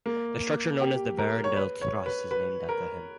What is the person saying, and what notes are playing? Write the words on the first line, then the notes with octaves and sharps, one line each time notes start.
The structure known as the Vierendeel truss is named after him.
A#3
G4
A#4
C#5
B4
C#5
B4
B4
A#4